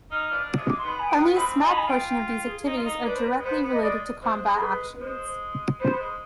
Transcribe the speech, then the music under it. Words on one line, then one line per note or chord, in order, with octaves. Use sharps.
Only a small portion of these activities are directly related to combat actions.
D#4 F6
F3 B3 D4
C3 F3 G#3
D6
C6
D#3 G#3 B3
B5
G#5
B3 G5
G#3
B3
F3 G#3 C4 B5
D#4 G#5
B5
G#5
F4 G5
G5
G5
G#4
D#4
F4
D#4
D4 B4
C5
B4
G#3
B3 C5
B3
D#5
G#3 D5
C3 F3 G#3 C5
G#4
B4
B4
G#3 C5
B3 C5
B3
G#3